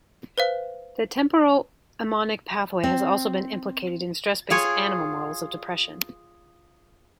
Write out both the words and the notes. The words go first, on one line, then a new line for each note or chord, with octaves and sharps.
The temporoammonic pathway has also been implicated in stress-based animal models of depression.
B4 C5 F5
C4
F4 G#4 C#5